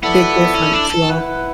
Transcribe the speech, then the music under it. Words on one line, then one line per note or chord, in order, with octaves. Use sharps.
Big difference, yeah.
B3 E4 A4 D5
C#4
D4
A4
E4 B4 F#5